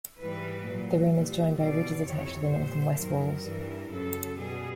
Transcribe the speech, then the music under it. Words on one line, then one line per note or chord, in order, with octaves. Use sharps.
The rim is joined by ridges attached to the north and west walls.
G#2 E3 G3 B4
A#2 F#3
A#2 G3
B2 G3 D5
F2 C3 E3 C#5
A#2 G3 C5
F#2 D#3 F#3 A#4
G2 E3 G3
F#2 C#3 F#3 A4
B2 G3 G#4